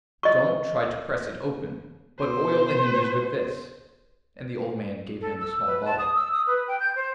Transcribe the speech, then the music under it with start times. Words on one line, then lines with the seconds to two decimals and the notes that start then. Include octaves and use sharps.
Don't try to press it open, but oil the hinges with this,' and the old man gave him a small bottle.
0.23 D#5 C#6
2.19 B2 C5
5.21 A4
5.40 E6
5.66 B4
5.85 A5
5.98 D#6
6.15 E6
6.32 D#6
6.47 B4
6.68 G5
6.80 G6
6.96 C5